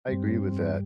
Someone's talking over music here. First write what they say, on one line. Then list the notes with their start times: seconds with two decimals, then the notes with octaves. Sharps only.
I agree with that.
0.08 G2 G3 C4